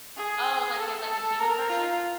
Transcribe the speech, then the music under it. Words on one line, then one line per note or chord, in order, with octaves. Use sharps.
Oh, like, a like, a human version?
G#4
A4
A#4
F4